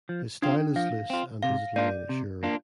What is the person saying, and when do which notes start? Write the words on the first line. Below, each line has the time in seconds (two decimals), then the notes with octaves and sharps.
His style is loose and his line assured.
0.09 F3
0.42 C4 D4 F4
0.76 F3 F5
1.10 C4 F4
1.43 C3 F5
1.76 A#3 D4 F4 D5
2.09 C3
2.43 A#3 D4 F4